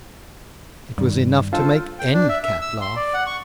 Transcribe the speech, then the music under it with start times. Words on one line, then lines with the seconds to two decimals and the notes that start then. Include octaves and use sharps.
It was enough to make any cat laugh.
0.98 G2 D#3 G3
1.53 D4 F4 A4 C5 A5
1.99 G5
2.13 D4
2.29 E5
2.43 E5
2.61 E6
2.81 C6
2.96 D5
3.14 F#5
3.26 C#6